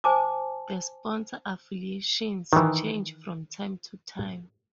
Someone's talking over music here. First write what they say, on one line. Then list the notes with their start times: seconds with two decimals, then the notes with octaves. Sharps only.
The sponsor affiliations change from time to time.
0.04 C5 G#5 A5 D6
2.53 D#3 E3